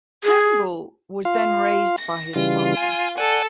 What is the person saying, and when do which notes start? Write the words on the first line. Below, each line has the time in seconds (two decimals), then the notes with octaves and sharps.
Turnbull was then raised by his father.
0.24 G#4
1.25 F4 F5
1.98 A#6
2.36 C#3 E3 G3 F4
2.77 G#5
3.18 A4 D5 F#5 G#5